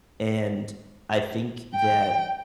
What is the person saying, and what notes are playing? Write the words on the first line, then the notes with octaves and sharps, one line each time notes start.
and I think that
G5